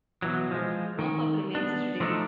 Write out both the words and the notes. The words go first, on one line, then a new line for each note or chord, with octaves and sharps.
No pub remains today.
B2 E3 F#3
F3 G#3
D#3
B3 D4
F3 A3 D4 D#4 A4